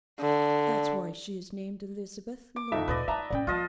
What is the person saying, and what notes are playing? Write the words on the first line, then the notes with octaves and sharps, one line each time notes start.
That's why she is named Elizabeth Lloyd.
D3
D6
F2 D#4 E5
D2 A#2 B4 D5 D#5
D#4 E5 A5 A#5
A2 C#4 D5 G5
F3 A#3 F4 D#5 A5